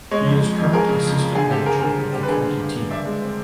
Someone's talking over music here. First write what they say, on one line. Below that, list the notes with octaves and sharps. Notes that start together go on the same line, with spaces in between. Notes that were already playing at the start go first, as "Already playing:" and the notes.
He is current assistant manager of the county team.
G#3 C#5 D#5
F2
G#3
F2
F2 G#4 A#4
C#3
F2
C#3
D3 G#4
C4 G4 A4
C4 G#4 A#4
D3 G#4 A#4
G3
C4 G4
B4
D3 G#4 A#4
D3
G2
G2
G2 D5 E5
G#3
C4